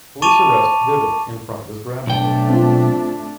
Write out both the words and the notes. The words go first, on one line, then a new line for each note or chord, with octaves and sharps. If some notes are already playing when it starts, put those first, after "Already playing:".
The police arrest Vivek in front of his grandmother.
A5 C#6 D6 A6 D#7 F7
B1 A3 D4 G5
C4 F4